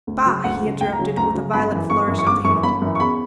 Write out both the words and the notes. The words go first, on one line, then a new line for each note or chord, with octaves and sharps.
"Bah!" he interrupted, with a violent flourish of the hand.
D2
C#3 F#3
D2 F#5
C#3 F#3
D2 G5
A#5
C#3 F#3
D2 A#5
C#3 F#3
G1 B5
F#2 E3
G1 C#6
F#2 E3
C#6
G1 D6
F#2 E3 C#6
G1 B5
F#2 E3
C#6
E2 B5